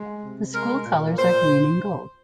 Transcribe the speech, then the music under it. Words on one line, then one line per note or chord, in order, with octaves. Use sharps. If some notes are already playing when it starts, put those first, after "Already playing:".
The school colors are green and gold.
Already playing: G#3
C3
G#3 A#4
A#2
A#2 C5